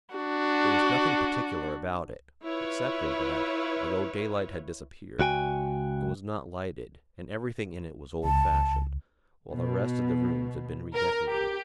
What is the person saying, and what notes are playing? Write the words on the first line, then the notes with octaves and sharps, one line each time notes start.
There was nothing particular about it, excepting that, although daylight had disappeared, it was not lighted, and everything in it was old-fashioned, while the rest of the rooms had been redecorated.
D4 F#4
E4 F4 B4 C#5
C#2 F#4 G5 G#5
C#2 A5
B2
A#4
G4